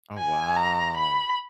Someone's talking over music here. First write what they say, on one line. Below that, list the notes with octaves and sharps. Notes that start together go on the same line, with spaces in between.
Oh wow.
G#5
A#5
B5